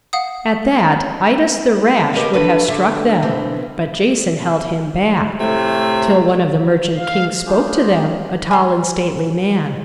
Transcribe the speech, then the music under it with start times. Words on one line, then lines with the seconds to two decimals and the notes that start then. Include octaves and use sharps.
At that Idas the rash would have struck them; but Jason held him back, till one of the merchant kings spoke to them, a tall and stately man.
0.13 F5 F#5 D#6
2.13 G4 A#4 B4 C#5 D#5 F5
2.33 A3 D4 F#4 B4
2.68 D3 E5
3.22 B2 D3 E3 C4
5.39 A2 C3 A3
6.96 F5
7.46 C#4 D4 F4 G4 G#4 C5
8.51 G#5 C6